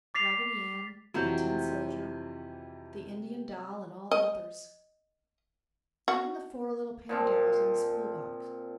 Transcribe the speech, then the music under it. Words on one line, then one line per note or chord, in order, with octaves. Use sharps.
Raggedy Ann, the tin soldier, the Indian doll and all the others--even the four little penny dolls in the spool box.
D6 A6 B6 C7 F7
F2 C3 E3 F#3 G6
D#5
F#4
A#2 F3 C4